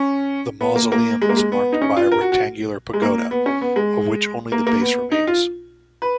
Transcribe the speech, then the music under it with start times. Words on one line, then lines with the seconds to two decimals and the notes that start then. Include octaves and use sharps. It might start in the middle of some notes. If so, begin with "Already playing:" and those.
The mausoleum was marked by a rectangular pagoda, of which only the base remains.
Already playing: C#4
0.61 B3
0.76 A#3
0.92 A#3
1.22 G#3
1.29 A#3
1.37 G#3
1.52 B3
1.72 D#4
1.82 C#4
1.97 F4
2.12 A#4
2.21 F#4
2.32 F#4
2.93 G#3
3.02 A#3
3.31 B3
3.46 C#4
3.61 B3
3.76 G#3
4.52 A#3
4.67 A#3
4.81 B3
5.12 D#4
5.27 F4
6.02 B4